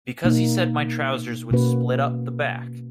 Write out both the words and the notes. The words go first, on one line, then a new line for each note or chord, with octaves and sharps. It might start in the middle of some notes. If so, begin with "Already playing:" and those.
Because he said my trousers would split up the back.
B2 A#3 D#4
B2 A#3 C#4 F#4 B4